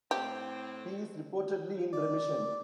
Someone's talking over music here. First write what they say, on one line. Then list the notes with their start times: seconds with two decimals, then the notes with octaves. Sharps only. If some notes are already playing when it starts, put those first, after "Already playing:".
He is reportedly in remission.
0.11 A2 C4 G4
1.93 D5